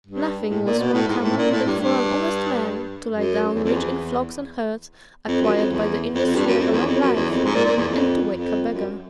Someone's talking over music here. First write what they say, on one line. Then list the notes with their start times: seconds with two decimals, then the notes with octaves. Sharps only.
Nothing was more common than for an honest man to lie down rich in flocks and herds acquired by the industry of a long life, and to wake a beggar.
0.07 G2
0.50 A2
0.65 A#2
0.79 B2
0.93 A2
1.08 G#2
1.23 A2
1.37 A#2
1.51 A2
1.67 G2
1.80 G2
3.11 F#2
3.55 E2
3.63 F2
3.72 E2
5.28 F2
5.42 F#2
5.57 F2
5.70 E2
6.14 F2
6.26 F2
6.36 G2
6.47 F#2
6.58 F2
6.72 E2
6.86 F2
7.00 F#2
7.16 E2
7.30 F2
7.45 G#2
7.55 A#2
7.65 A#2
7.77 E2
7.88 F2
8.30 F2
8.74 F#2